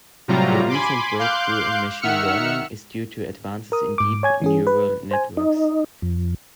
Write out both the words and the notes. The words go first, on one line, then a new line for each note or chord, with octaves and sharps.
The recent breakthrough in machine learning is due to advances in deep neural networks.
A2 C3 F#3 G3 F4 A#5
G#5 B5 C6 D6
F5 C6 D6 F#6 G6
D#3 E5 F#5 E6 F6 C#7
A#4 D#6
G#2 D6
C#5 G#5 G#6
E3 C#4 G#4
B4
C5 G#5
D#4
F2